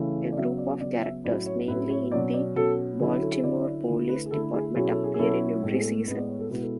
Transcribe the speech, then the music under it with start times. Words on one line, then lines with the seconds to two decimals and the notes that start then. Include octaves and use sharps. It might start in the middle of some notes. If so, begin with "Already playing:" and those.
A group of characters, mainly in the Baltimore Police Department, appear in every season.
Already playing: C#3 E3 A3 E4
0.32 D5
0.36 C#3 F#3 B3 E5
0.58 D5
0.80 C#3 F#3 B3 D5
1.02 E5
1.24 A2 F#3 C#4 E4 D5
1.46 C#5
1.68 A2 F#3 C#4 E4 B4
1.90 C#5
2.12 B2 F#3 C#4 D5
2.34 D5
2.56 B2 F#3 C#4 A4
2.99 D3 F#3 C#4 E4 G#4
3.11 F#4
3.21 A4
3.32 G#4
3.43 D3 F#3 C#4 E4 D5
3.53 C#5
3.61 D5
3.87 D3 A3 E4
4.09 B4
4.26 G#4
4.31 D3 A3 E4 A4
4.54 G#4
4.75 B2 F#3 C#4 E4 G#4
4.89 A4
5.04 G#4
5.14 G#4
5.19 B2 F#3 C#4 E4 A4
5.63 A2 G#3 B3
5.74 G#4
5.80 A4
5.85 G#4
6.07 A2 G#3 B3 B4
6.18 D5
6.28 C#5
6.39 A4
6.50 B2 G#3 B3 E4 B4
6.62 A4